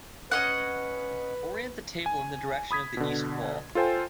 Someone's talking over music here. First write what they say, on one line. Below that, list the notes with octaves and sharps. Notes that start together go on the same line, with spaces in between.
Orient the table in the direction of the east wall.
C#4 B4 D#5 F#5
G#5
B5 D#6 G#6 B6
B2 D3
F4 A4 C5 G5 G#5